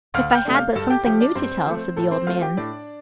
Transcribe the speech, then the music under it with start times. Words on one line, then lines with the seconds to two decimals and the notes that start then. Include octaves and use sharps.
"If I had but something new to tell," said the old man.
0.14 D2 F5 F6
0.31 F6
0.35 G5 G6
0.45 C3 A3 D4
0.55 F5 F6
0.75 G2 A4 A5
0.90 G4 G5
1.05 F3 A3 G4 G5
1.20 D4 D5
1.35 G2 C4 C5
1.66 F3 A3
1.96 A2 A4
2.11 C4 C5
2.27 A3 C4 F4 F5
2.42 G4 G5
2.57 A2 D4 D5